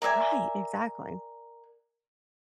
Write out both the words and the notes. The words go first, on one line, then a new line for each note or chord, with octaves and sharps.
Right, exactly.
A#4 D5 E5 G#5